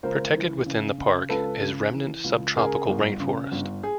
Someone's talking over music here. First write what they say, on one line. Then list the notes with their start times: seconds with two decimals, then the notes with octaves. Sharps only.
Protected within the park is remnant subtropical rainforest.
0.03 C#2 A#4 C5
0.34 E3
0.66 C#3
0.98 C#3
1.29 C#2 A4 B4
1.61 C#3
1.93 E3
2.24 C#2
2.56 C#3 G#4 A#4
2.89 G1
3.20 C#3
3.52 G1
3.83 G#4